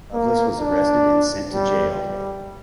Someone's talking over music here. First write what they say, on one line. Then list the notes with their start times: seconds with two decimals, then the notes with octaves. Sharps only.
Loveless was arrested and sent to jail.
0.13 A#3
0.60 D4
1.53 G3
1.99 G3